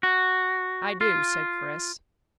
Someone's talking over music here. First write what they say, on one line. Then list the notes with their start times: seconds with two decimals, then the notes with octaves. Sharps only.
"I do," said Chris.
0.03 F#4
1.01 F4